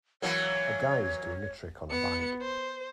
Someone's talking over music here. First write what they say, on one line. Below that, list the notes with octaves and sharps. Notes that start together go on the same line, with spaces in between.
A guy is doing a trick on a bike.
E3 F#3 A#3 C#5
B3 C#7
C5